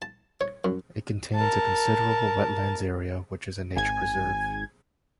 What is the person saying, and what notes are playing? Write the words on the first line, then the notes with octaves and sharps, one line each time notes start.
It contains a considerable wetlands area which is a nature preserve.
A5
C#5
F#2
A#4 A5
G#1 G#5 G#6